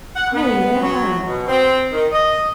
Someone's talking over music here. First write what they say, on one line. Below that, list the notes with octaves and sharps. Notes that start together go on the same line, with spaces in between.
Oh, yeah.
F#5
B3
F#3
B2
C4
D#3
D#5